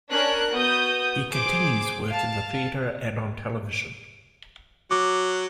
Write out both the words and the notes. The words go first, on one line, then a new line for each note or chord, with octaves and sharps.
He continues work in the theatre and on television.
C#4 D4 A#4 F#6
B3 F#4 D#6 G6
G#4 C5 D6
F5 A5
F#3 D6